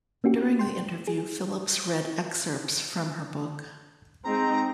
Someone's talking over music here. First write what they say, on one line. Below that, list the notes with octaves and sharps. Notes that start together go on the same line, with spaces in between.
During the interview, Phillips read excerpts from her book.
A#3 C#4 F#4 G4
G5 C6
G#4
G#3 C4 D#4 A#5